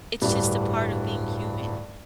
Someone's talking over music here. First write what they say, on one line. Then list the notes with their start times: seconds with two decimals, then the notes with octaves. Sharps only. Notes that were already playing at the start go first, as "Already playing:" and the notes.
it's just a part of being human,
0.22 D1 G2